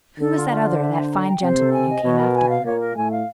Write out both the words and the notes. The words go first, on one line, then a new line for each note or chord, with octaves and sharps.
"Who was that other, that fine gentleman, who came after her?"
D3 D4 A4
F4
F4
C5
E5
C5
A#5
G5
C3 C4 C5
A4
G#5
D#5
B2 B3 C#5
A#4
G#5
F5
A#2 A#3 C#5
A#4
A2 A3 G#5
F5